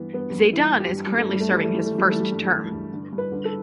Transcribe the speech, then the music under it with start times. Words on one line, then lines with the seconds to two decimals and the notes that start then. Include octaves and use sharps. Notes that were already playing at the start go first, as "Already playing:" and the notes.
Zeydan is currently serving his first term.
Already playing: G2 E3 B3
0.13 G2 B3
0.33 G2
0.53 E3 E4
0.73 G2
0.80 G4
0.93 G2
1.07 G3
1.14 G2 A3
1.29 G2 G3
1.40 A3
1.52 E3 G3
1.64 A3
1.73 E3 G3
1.86 A3
1.92 E3
1.98 G3
2.10 E3 A3
2.20 G3
2.32 G2
2.53 E3
2.72 G2
2.92 D3
3.13 G2
3.18 B4
3.32 D3
3.45 A4